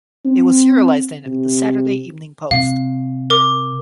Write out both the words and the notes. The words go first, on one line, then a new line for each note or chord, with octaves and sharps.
It was serialized in "The Saturday Evening Post".
C4
C3
C3 F5
A#4 D6